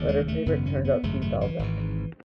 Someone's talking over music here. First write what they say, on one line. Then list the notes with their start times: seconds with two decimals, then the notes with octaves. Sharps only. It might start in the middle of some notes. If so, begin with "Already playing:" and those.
But her favourite turns out to be Balzac.
Already playing: E1 D#2 C#3
0.09 G#3
0.28 A3
0.46 G#1 F#2 C#3 B3
0.66 C#4
0.85 B3
1.03 G#1 F#2 C#3 A3
1.22 A3
1.41 E3
1.59 G#1 G#2